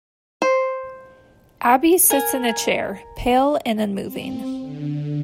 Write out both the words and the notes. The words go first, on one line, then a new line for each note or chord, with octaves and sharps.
Abbie sits in a chair, pale and unmoving.
C5
A#4 G#5
C4
D3